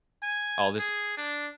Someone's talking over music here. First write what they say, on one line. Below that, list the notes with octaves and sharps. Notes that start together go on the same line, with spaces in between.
Oh, this
G#5
G#4
D4